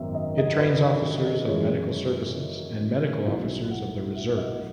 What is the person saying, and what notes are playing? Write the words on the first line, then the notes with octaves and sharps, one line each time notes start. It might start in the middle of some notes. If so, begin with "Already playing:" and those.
It trains officers of medical services and medical officers of the reserve.
Already playing: G#1 F#2 D#3 F#3 B3 E5
D#5
D#5
B4
A4
G#4
F#2 E3 G#3 C#5
B1 A2 F#3 B3 E4 E5
F#5
E5
D#5